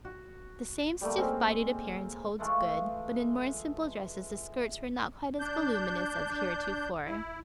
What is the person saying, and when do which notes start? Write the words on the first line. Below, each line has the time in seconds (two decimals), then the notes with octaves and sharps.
The same stiff-bodied appearance holds good, but in more simple dresses the skirts were not quite as voluminous as heretofore.
0.05 F#4
1.01 G3 A3 A#3
1.17 G#3 C4 C#4
2.39 E3 G#3 A3 F4
5.40 D4 G6
7.06 E4